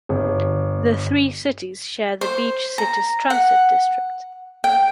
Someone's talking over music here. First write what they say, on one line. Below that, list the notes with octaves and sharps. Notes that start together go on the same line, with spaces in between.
The three cities share the Beach Cities Transit district.
G1
C5
A#5
F#5
G5